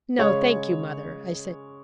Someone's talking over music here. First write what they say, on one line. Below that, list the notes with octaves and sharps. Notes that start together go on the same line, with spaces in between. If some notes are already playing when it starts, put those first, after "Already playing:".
"No, thank you, mother," I said.
C#3 G#3 C#4 C#5